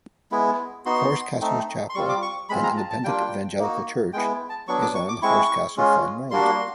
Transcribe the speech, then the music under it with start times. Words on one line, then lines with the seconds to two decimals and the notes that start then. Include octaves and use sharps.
Horsecastle Chapel, an independent evangelical church, is on Horsecastle Farm Road.
0.31 G#3 B3 E4
0.86 B3 D#4 F#4 C6
1.41 A3 C4 D#4
1.90 C6
1.95 G3 C4 F4 C#6
2.09 D6
2.22 C#6
2.49 G#3 C4 F4 B5
2.63 A#5
2.77 A5
2.90 A5
3.04 G3 A#3 D4 F4 G5
3.59 A#3 D#4 F#4
4.13 G#3 G5
4.16 B3 E4
4.49 A5
4.68 F#3 B3 D4 C#6
4.82 D6
4.95 C#6
5.09 D6
5.22 G#3 C4 E4 C#6
5.77 G#3 C#4 F4
6.31 G3 A#3 D4 F#4 C6